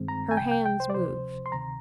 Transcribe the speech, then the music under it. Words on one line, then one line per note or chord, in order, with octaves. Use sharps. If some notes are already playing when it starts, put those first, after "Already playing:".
Her hands moved.
Already playing: G2 D#3 G#3 C4
A#5
G#5
C2 C3 F3 G5
G5
G5
C5
D5
D2 C3 F3 C5
C6
D2 C3 D#3 A#5